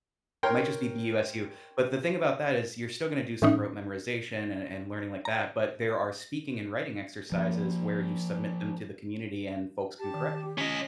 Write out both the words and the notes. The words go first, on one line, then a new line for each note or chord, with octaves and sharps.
might just be B-U-S-U, but, the thing about that is you're still gonna do some rote memorization and and learning like that, but there are speaking and writing exercises where you submit them to the community and folks can correct you.
A#4 C#5 G5 A#5 C6
A2 E3 C#4 D#4
A#5
F3 A#3
G4 A5
D#3
C#4 D#5 B6